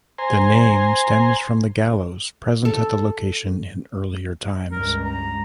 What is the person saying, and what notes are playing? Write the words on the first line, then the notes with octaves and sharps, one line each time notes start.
The name stems from the gallows present at the location in earlier times.
C5 G#5 A#5 C6
A4
C#2 G2 A#4
A#5